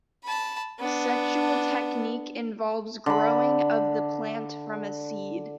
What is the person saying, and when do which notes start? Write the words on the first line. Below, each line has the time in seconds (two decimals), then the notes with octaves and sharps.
Sexual technique involves growing of the plant from a seed.
0.24 A5 B5
0.79 B3 D4
3.06 D3 B5